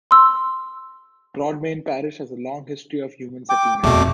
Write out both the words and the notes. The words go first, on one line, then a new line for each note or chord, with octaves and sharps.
Broadmayne parish has a long history of human settlement.
C6 E6
G5 D6
F1 E2 B2 A3 D6